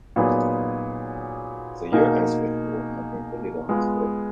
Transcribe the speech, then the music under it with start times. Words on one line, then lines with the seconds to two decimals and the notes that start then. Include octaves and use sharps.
The Year End Special was not included on this collection.
0.16 A#2 F#3 B3 D#4 G#4
1.92 B2 A#3 D#4 G#4
3.69 G#3 B3 F4 G#4